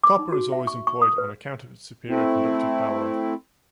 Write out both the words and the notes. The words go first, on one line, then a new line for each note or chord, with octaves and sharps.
Copper is always employed on account of its superior conductive power.
D6
D#4
F#4
E5
C#6
C#6
D#6
B4
A3 C4 E4